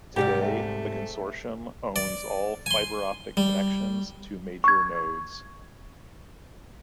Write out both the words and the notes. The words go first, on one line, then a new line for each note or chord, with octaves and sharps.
Today the Consortium owns all fiber-optic connections to major nodes.
G#2 C3 G3 G4
A3
D5
G#5 C6
G3
C#6 G#6